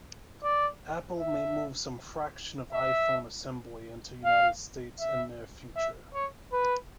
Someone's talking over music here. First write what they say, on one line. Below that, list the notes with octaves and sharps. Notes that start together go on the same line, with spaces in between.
Apple may move some fraction of iPhone assembly into United States in near future.
D5
E5
E5
F5
E5
E5
C#5
B4